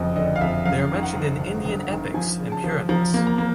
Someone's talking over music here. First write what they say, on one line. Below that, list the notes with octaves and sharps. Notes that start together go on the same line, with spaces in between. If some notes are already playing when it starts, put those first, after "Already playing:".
They are mentioned in Indian epics and Puranas.
Already playing: F#1 F2 D3 D#5
D3 D#5
F5
F2 E5
F#2 F5
D#3
F#5
G1
G1
G1
D#3
F3 G#5
C#3
A5
F3
F3 A#5
A#3
A#5
A#3